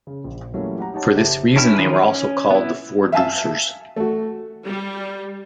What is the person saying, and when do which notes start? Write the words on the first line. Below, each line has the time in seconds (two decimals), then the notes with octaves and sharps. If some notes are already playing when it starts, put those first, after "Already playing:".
For this reason they were also called the "Four-deucers".
0.07 C#3
0.24 A#1
0.54 E3 F#3 G3 A3 A#3 C#4
0.78 G4 F#5 A#5
0.94 D#4 G4 C#5 F#5 A5
1.14 F#1 G4 C5 E5 A5
1.56 C#4 D4 E4 G5 F6
1.76 D#3 F3 G#4 B4
2.00 C#4
2.51 B3 E4
3.12 E5 F5 G#5 A5 E6
3.96 A3 F#4
4.66 G3